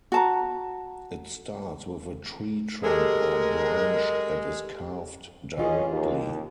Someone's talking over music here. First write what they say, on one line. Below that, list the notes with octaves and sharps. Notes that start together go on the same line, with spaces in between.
It starts with a tree trunk or branch and is carved directly.
F#4 A5 A#5
G#3 G4 A4 A#4
E3 C#4 F4 G#4 D#5
D#2